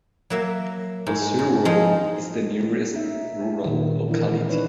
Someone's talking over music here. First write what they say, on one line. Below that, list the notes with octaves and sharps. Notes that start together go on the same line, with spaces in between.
Ozero is the nearest rural locality.
F#3 A#3 E5
G#2
G#2
F3 G#3 C4 D#4 C6
C#4 D#4 E5
A#2 D#3
E3 D4 E4 A#4
D4 D#4 B4 C#5